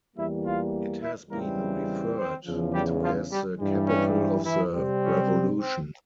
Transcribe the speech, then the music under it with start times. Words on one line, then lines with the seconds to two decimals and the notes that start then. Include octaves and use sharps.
It has been referred to as the Capital of the revolution.
0.17 E2 E3 G3 A#3 E4 E5
0.45 F4 F5
1.02 E4 E5
1.31 E2 C#3 E3 G3 A#3 C4 A#4
2.17 C4 C5
2.46 E2 C#3 F3
2.74 G3 G4
3.02 F3 F4
3.31 G3 G4
3.59 G2 E3 G3
3.88 C#4
4.45 E3 E4
4.74 C3 G3 C4
5.03 C#4
5.60 C4